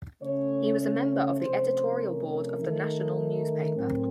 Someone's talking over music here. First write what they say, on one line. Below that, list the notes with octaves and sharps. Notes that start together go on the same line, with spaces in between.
He was a member of the editorial board of the "National" newspaper.
C#3 A3 C#4 C#5
C#5
C3 F3 A3 C#4 C5
A#4
D#3 A3 D#4
A2 F#3 C4